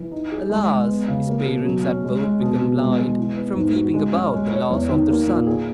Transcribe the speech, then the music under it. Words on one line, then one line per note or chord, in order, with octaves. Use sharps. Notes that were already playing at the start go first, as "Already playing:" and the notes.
Alas! his parents had both become blind from weeping about the loss of their son.
Already playing: E3
D#4
G#4
G#3
G#3
B3
C#3
A#3
B2
F#3
C#4
G#3
G#3
B2
B2
G#3
G#3
E3
B3
G#2
F#4
G#3
C#4
G#3
C#5
E2
D#3
A#3
A#2
G#4